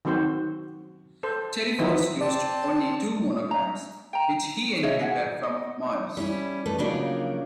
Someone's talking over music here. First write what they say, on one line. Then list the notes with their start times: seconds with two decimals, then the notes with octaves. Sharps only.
Telephos used only two monograms, which he inherited from Maues.
0.05 D#3 F#3 C4 F#4 C5
1.23 A4 C5
1.79 D#3 E3 F#3 B3 D#4 E4
2.21 C4 D5 A5
3.51 A#5
4.13 G5 A#5
4.82 G#4 C#5 D#5 E5
4.99 D#4 F#4 G#4 F#5
5.43 D#5
6.17 G3 C#4 E4
6.66 A3 B4
6.78 C#3 F3 F#3 A#3 D4 D#4